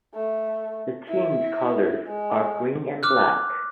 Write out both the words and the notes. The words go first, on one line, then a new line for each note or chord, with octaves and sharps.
The team's colors are green and black.
A3
E4
G#3
D6 F6 F#6